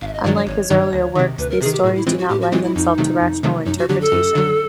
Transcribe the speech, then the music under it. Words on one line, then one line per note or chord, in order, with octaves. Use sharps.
Unlike his earlier works, these stories do not lend themselves to rational interpretation.
G#1 F5
E5
D#5
G2 D#3 F#3 D5
C#5
G#1 C#5
G2 D#3 F#3
D2
C3 D#3
D2 B4
A#4
C3 G#4
D#3
G4
A2 F#4
E4
E3 G#3 C4 F4
F#4
A2 G4
F#4
E3 G#3 C4 F4
E4
F2 D#4
C3 D#3 F#3 A3
F2
C3 D#3 F#3 A3
F#2 D#4
F#4
D3 F#3 G4
A4
F#2
D3 F#3